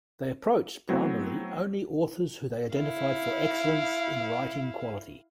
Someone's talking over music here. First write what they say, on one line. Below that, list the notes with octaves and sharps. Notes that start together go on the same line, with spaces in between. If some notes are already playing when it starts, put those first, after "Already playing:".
They approached primarily only authors who they identified for excellence in writing quality.
F#3 A3 B3 C4 E4 F#4
E4 F5